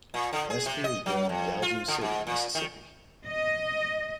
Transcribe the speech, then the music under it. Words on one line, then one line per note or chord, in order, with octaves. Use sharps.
Espy was born in Yazoo City, Mississippi.
A#2
D3
G#4
C3
D#5
F#3
F2
F4
D3
G#2
A#2
D#3
D#5